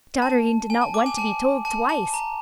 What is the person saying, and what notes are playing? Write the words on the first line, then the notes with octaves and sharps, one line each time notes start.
Dotterine did not want to be told twice!
A5
G#5
A5
D6
G#5
A5
A5
A5
A#5